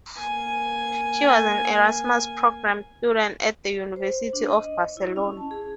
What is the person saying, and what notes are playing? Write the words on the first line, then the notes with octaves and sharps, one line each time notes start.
She was an Erasmus Programme student at the University of Barcelona.
A#3 G#5
C5
D4
D#5
C#5
E4
C#4
A5
G#4